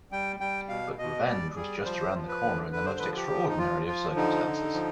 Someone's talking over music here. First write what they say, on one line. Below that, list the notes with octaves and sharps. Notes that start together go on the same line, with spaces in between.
But revenge was just around the corner in the most extraordinary of circumstances.
G3 G5
G3 G5
B2 F5
B2 D#5
G3 D5
G3 G#4
F3 C5
F3
B4
D3
D3 B4
C5
F3 B4
G4
F3
D#4
F3 F4
F3 F4
D3 D#4
D3
F3